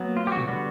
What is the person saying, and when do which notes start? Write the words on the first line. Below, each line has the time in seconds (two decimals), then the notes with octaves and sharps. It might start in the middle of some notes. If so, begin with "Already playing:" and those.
I don't know.
Already playing: F#3 B3
0.17 F4
0.27 G4
0.32 F#4
0.48 D3 G3 B3 F#4